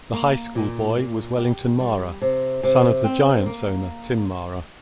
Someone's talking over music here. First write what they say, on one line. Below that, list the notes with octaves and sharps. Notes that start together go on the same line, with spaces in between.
The high school boy was Wellington Mara, son of the Giants owner Tim Mara.
A#3
A#2
A#2
G4
G3
C3
C3
C4
A#3